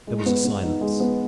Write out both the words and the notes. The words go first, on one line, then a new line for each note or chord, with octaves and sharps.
There was a silence.
G#3
B3
B3
D#4
G#3
B3